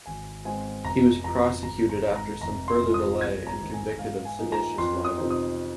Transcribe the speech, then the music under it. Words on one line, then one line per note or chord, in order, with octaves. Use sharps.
He was prosecuted after some further delay and convicted of seditious libel.
G#1 G#5
G#2 G#3 C4 G#5
F1 A#5
F2 F3 A#5
G#1 A#5
A#5
G#2 G#3 C4 D#4
A#5
F1 A#5
C6
F2 F3 G#3
D#6
A#1 G#6
A#5
G#2 D#3 C4 D#4
G#5
G#2 F5
G#5
F3 A#3 D#4
A#5
F2 C6
D#6
C3 F3 C4 D#4
D#6